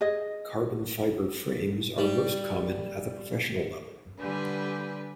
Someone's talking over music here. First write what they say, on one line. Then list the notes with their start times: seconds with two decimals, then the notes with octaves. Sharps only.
Carbon fiber frames are most common at the professional level.
0.01 G#4 D#5
1.98 G3
4.19 D3 G3 B4 G#5